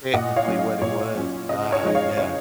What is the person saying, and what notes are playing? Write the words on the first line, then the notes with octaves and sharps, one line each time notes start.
Technically what it was. Ah, yeah.
A#2 D#5 F#5
C#5 F5
F#3 C#4
D#5
A#2 C#5
F#3 C#4
C#3 D#5
C#5
F3 G#3 D#4 D#5
C#5 F5
C#3 C#5